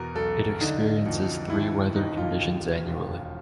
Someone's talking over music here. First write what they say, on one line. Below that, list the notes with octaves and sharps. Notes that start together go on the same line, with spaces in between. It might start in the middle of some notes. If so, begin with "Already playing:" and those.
It experiences three weather conditions annually.
Already playing: E2 B2 A#4
B1 A4
D3 D#4
F2
D#2 E4
E1 D#4
F4
D#2
E1